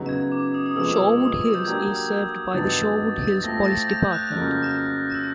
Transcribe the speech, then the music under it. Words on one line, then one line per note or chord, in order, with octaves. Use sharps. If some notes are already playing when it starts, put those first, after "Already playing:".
Shorewood Hills is served by the Shorewood Hills Police Department.
Already playing: F#2 C#3 F#3 B3 D#4
G#6
D6
D#6
D#6
C3 F3 G#3 B3 E6
D#6
G6
F#3 A#3 D4 G4 A#4 G#6
G2 D#3 F#3 B3 A6
A3 C4 F4 A#6
A6
G6
G6
F#6
F2 C#3 F#3 A#3 F6
E6